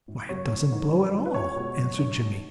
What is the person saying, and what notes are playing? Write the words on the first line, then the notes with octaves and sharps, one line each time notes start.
"Why, it doesn't blow at all," answered Jimmie.
G#1
F#2 C#3 F#3 C#5
A1
G#2 E3
F#2
D3 F#3
B4
C#2 C#5
B2 G#3
F#1
F#2 D3
B1